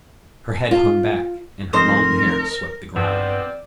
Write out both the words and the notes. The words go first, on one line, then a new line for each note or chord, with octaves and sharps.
Her head hung back, and her long hair swept the ground.
F4
F1 A#4 C5 D#5
G2 C3 F3 B3 C4 D5